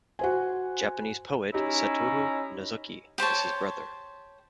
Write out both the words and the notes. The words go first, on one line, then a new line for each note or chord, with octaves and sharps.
Japanese poet Satoru Nozoki is his brother.
F#4 C5 G#5
C#4 D#4 E4 G4
G4 C5 C#5 A5